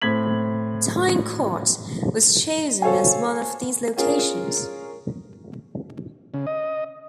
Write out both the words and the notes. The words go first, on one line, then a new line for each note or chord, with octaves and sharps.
Tyne Cot was chosen as one of these locations.
A2 C4 G#6 B6 F#7
F#4 A4 C5 C#5 F5 G#5
C#4 F4 G#4 A#4
C#3
D#5